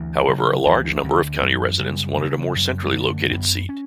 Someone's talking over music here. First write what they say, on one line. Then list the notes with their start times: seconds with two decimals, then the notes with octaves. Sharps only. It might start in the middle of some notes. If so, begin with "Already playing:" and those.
However, a large number of county residents wanted a more centrally located seat.
Already playing: D2 E3
0.28 C#3 F#3
0.66 D2 E3
1.04 D2 D3
1.42 F#2 E3
1.80 C#3 G3
2.17 C#3
2.56 F#2
2.83 G3
2.93 D3 A3
3.31 F#2 B3
3.69 C#4